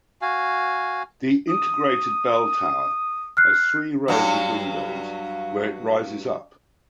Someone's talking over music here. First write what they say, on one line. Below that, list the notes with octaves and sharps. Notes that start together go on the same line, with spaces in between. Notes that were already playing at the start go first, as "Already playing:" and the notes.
The integrated bell tower has three rows of windows where it rises up.
F#4 F5 G#5
D#6
F6 F#6 C7
G2 F#3